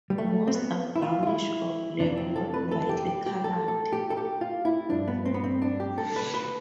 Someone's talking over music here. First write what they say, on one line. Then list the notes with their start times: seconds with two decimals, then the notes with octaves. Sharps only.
Most are brownish or black, not brightly colored.
0.10 G3
0.18 A3
0.47 C4
0.55 B3
0.96 E4
1.02 F4
1.23 F4
1.27 E4
1.99 F2 C3 E3 D4
2.17 C4
2.36 A4
2.54 B4
2.71 A4
2.89 G4
3.08 G4
3.26 G4
3.44 A4
3.68 A4
3.92 G4
4.10 A4
4.17 G4
4.41 F4
4.65 E4
4.89 G2 F3 D4
5.08 B3
5.25 C4
5.34 B3
5.44 C4
5.62 D4
5.80 G4
5.98 A4
6.16 B4
6.34 B4